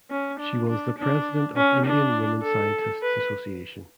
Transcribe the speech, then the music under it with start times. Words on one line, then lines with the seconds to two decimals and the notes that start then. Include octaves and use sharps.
She was the president of Indian Women Scientists’ Association.
0.10 C#4
0.39 D4
0.69 D4
0.98 D4
1.56 C#4
1.85 D4
2.43 A4
3.02 B4